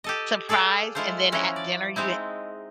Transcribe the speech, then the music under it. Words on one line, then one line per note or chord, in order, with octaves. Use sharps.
"Surprise," and then at dinner, you
G4 A4 D#5
G#4 A4 D5 F5 G5
G#3 E4 F4 A4 C5
F3 C#4 E4 F#4 A#5
D5
G#3 C4 D#4 E4